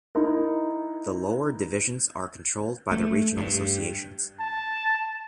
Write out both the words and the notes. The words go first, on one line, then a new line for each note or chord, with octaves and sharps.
The lower divisions are controlled by the regional associations.
D#4 E4 A#4
A3
G2
A5